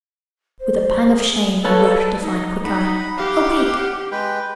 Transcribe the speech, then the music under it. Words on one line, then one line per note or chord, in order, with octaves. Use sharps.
With a pang of shame, he rushed to find Quickeye. 'Awake!
C5
G#4
A4 B4 C#5 F5 A5
D#4
D#4 F#5 B5
G4 F5 F#5
G#3 B4 G5